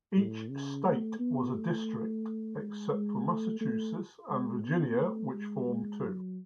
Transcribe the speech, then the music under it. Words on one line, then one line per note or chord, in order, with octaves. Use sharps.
Each State was a district, except for Massachusetts and Virginia which formed two.
A2
C#3
A3
B3
A3
G#3
G#3
A3
A3
G#3
B3
A3
G#3
G#3
F#3